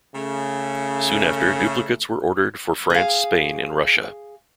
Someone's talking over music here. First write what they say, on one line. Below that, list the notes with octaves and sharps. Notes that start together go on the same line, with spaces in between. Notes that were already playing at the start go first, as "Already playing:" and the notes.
Soon after, duplicates were ordered for France, Spain and Russia.
C#3 A3
G#4 F5